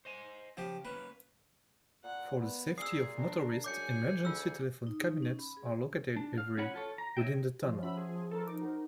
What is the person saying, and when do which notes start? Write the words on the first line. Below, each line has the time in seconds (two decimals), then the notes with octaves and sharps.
For the safety of motorists, emergency telephone cabinets are located every within the tunnel.
0.05 C5 D#5 G#5
0.57 C#3 F3 G4
0.85 A#3 C#4 B4
2.04 A#2 F#5
2.39 B3
2.78 A#2 G#4 D#6 E6 C7
3.17 D4 A#4
3.64 F#2 G#4 G#5 D6 G6 C#7
4.25 D2 F4 G#4 E6
4.87 D#4
5.04 D#4
5.22 C#4
5.39 B5
5.57 G#4
6.16 D4
6.38 F5
6.58 C#4 F4 C#5 F#5 B5
6.74 F4 A4 C#5
6.98 A#5
7.17 C#5 D#5 E5 G5
7.62 F3 F4
7.83 C#4 F#4 E5 B5
7.97 G#4
8.31 A4 A#4 A5
8.47 D#4 D6
8.62 F#4 A#4 C5